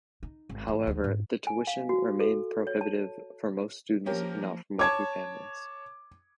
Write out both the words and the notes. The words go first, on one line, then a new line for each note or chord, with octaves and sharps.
However, the tuition remained prohibitive for most students not from wealthy families.
D#4
G#1
E2 G#2
D2 F3
G#2
G#5
F5
F#4
A4
C#5
A5
F3 A#3 C#4 G4 A#4
C#5 A5 D6 G#6